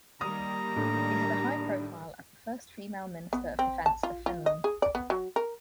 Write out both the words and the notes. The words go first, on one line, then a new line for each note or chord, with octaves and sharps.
She had a high profile as the first female Minister of Defence of Finland.
D#3 G3 A#3 A#5 D#6
A2 D4
B3
C4
A5
F4
F4
D#5
G#4
D5
B3
F#3
A#4